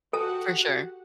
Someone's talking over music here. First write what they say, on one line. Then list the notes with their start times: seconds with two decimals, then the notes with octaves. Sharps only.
For sure.
0.13 F#4 G4 A4 F#5 A5